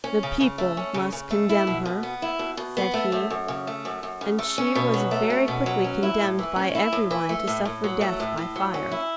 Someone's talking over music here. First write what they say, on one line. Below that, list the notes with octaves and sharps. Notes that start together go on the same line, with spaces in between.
"The people must condemn her," said he, and she was very quickly condemned by everyone to suffer death by fire.
C#4
C#3
C#3
A3
C#4
C#3
C#3
A3
E4
B2
B2
B3
E4
B2
B2
B3
A3
F#2
F#2
C#3
A3
F#2
F#2
C#3
A3
C#4
B2
F#3
A3
C#4
B2
F#3
C#4
E4
A2
E3
C#4
E4
A2
E3
A3
A2
A2
F#3
A3
A2
A2
F#3
C#4
E4